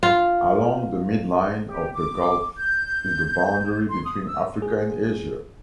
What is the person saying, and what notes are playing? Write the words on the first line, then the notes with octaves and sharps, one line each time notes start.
Along the mid-line of the gulf is the boundary between Africa and Asia.
F4
G4
D6
G6
C6
D#6
E6
G#4